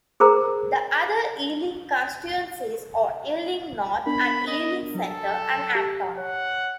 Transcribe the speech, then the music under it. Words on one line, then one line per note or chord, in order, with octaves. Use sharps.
The other Ealing constituencies are Ealing North, and Ealing Central and Acton.
G#4 A#4 C5 A#5
B3 D4 A#4 B5
D#5
F#3 A4
G4
C#5 F#5